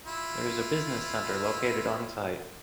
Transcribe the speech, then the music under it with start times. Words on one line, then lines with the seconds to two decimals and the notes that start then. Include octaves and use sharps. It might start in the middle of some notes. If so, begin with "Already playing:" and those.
There is a business center located on site.
0.06 E4 F4